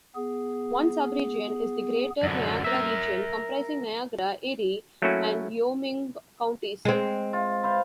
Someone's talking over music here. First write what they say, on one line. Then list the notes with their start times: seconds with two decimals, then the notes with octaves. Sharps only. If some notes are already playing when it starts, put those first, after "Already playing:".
One "sub-region" is the Greater Niagara Region, comprising Niagara, Erie and Wyoming counties.
0.15 B3 G#4
2.23 F#2 D3
2.64 A#4 E5
5.02 F#3 A3 A#3 C#4 E4 F#4
6.85 G#3 C4
7.33 F4
7.63 B4 C5 F5